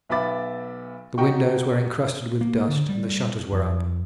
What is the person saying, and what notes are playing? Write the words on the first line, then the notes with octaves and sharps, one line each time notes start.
The windows were encrusted with dust, and the shutters were up.
B1 B3 E5 B5 D6 A6
D#4 F#4 G4 G5 C#6
A#3
D3
G3
F2